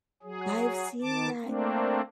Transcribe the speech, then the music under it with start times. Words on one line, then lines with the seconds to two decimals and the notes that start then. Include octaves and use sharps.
I've seen that.
0.23 F#3 G#4
1.02 D#3 A5 D6
1.44 A3 A#3 C4 D4